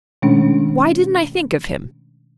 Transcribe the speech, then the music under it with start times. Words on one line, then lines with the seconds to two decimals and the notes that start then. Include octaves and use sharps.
Why didn't I think of him?
0.22 B2 D#3 G#3 A3 C#4 D4